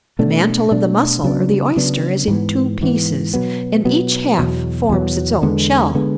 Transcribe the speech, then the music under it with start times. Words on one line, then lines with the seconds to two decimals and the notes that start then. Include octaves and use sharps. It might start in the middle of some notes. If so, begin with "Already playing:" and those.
The mantle of the Mussel or the Oyster is in two pieces; and each half forms its own shell.
0.19 B2 A3 D4
0.71 B2 A3 D4
1.24 C#3 F#3 B3 D4
1.76 C#3 F#3 B3 D4
2.28 G#2 E3 B3
2.81 G#2 E3 B3
3.34 B2 F#3 B3
3.85 B2 F#3 B3
4.38 E2 B2 F#3
4.89 E2 B2 F#3
5.42 E2 D3 G#3 B3
5.95 D3 G#3 B3